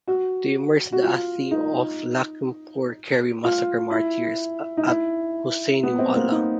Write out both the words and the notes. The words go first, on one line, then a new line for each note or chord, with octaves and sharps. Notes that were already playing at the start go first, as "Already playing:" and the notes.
To immerse the asthi of Lakhimpur Kheri massacre martyrs at Husainiwala.
F#4
F#4
F4
D#4
F4
E4
D#4
E4
B3
C4
A#3
D#4